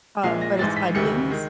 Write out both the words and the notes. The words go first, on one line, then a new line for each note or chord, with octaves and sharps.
uh, but it's onions.
A#1 A#2 F3 G#3 C7
A#6
A1 G#2 E3 G#3 A6
B6
D2 C3 D#3 G3 C#7
D#3 G#3